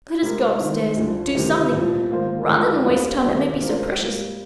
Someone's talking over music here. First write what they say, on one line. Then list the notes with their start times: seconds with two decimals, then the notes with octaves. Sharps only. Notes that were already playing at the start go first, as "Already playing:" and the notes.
Let us go up-stairs, and do something, rather than waste time that may be so precious.
0.22 C3 F3 G#3 D#4 A#4
0.59 D#3 G#3 C4 D#4
0.97 D2 D3 F3
1.34 D2 C3 D#3 G3
1.72 C2 A#2 F3
2.10 G#2 D#3 A#3 F4 C5
2.49 F2 D3 G#3
2.85 D2 D3 G3 A#3
3.23 C3 D#3 G3 D4
3.61 F3 G#3 C4 F4 A#4
3.99 G#2 G3 A#3